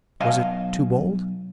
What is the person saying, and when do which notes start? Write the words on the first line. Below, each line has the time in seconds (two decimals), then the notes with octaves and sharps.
"Was it too bold?"
0.20 B1 D#5 F5 G#5 A5